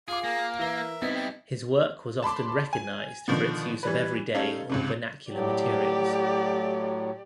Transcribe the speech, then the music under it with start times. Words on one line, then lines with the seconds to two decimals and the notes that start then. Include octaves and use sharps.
His work was often recognized for its use of everyday or vernacular materials.
0.08 F4 G#4 F5 D6
0.24 A#3 G#4 A#4
0.59 E3 A#4 E5 G7
1.02 G3 B3 C4 D#4 E4 D#5
1.15 G5
2.22 A5 B5 C6 D6
2.73 G#5
3.28 B2 D3 D#3 F3 B3
3.83 E3 G3 B4
4.34 G3 A3 C#4 D#4 A4 F5
4.70 C#2 G#2 C3
5.30 A2 F#3 G4 D5